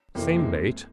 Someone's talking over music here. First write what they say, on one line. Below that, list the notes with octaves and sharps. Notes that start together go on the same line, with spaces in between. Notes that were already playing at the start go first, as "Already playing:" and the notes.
Same bait.
F2 C3 E3 A#3
G#3